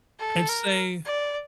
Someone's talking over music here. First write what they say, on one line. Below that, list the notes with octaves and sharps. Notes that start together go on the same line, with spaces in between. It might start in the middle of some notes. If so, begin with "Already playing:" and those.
And say
A4
A#4
D5